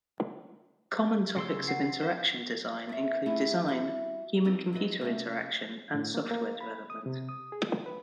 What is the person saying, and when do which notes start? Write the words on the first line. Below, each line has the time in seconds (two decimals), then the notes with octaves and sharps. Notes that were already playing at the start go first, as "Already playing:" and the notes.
Common topics of interaction design include design, human-computer interaction, and software development.
1.36 C#3 C6 E6
1.67 F#5 C7
2.03 C5
2.89 D5 E5
3.26 G3 A3 C#4 D#4 E4
3.67 G3 E4 F#4
4.45 G3 C4 D#4 F4 B4
4.73 F#3 F4 F#4 B4 D#5
5.01 C3 A3 A#3 C#4
5.94 A2
6.15 A#3
6.31 A#3
6.61 B5
6.90 D#6
7.06 C3
7.29 D#6
7.52 G#4
7.69 F4
7.86 B4